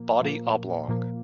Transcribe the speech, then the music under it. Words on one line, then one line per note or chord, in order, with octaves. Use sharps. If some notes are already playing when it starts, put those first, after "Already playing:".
Body oblong.
Already playing: A#2 F3 A#3
A#2 F3 A#3
A#2 F3 A#3